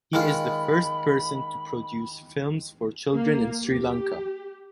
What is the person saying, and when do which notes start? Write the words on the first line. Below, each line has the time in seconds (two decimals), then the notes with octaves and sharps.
He is first person to produce films for children in Sri Lanka.
0.13 D#3 G#3 F4 B5
3.12 A#3
3.66 G4